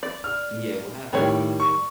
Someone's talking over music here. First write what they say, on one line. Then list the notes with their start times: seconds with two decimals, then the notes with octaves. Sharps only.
Yeah. What happened?
0.03 D5
0.24 F6
1.13 A2 D#3 G3 C#5
1.60 C#6